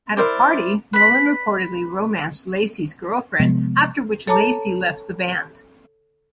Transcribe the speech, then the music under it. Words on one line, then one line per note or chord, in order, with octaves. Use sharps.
At a party, Nolan reportedly romanced Lacey's girlfriend, after which Lacey left the band.
E4 A#4 C5 D5
B4 B5
C3 F3 G#3 B3
A4 C#5 A5 A#5 D6